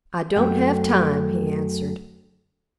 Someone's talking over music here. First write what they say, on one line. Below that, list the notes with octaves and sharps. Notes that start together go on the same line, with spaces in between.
"I don't have time," he answered.
F#2 A3 G5